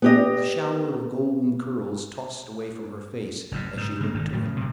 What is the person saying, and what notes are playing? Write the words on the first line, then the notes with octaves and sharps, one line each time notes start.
A shower of golden curls tossed away from her face as she looked to him.
B3 G4 D#5
F#1 F#2 A2
G#2
C#3 A#3
G#1 A2 D#3
A2 C#3 F3 F#3
G1 C3 C4